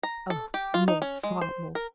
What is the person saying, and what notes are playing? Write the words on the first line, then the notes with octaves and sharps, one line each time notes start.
Oh, more--far more!
A#5
A4
G4
F4
D#4
C#4
G#3
C5
A#4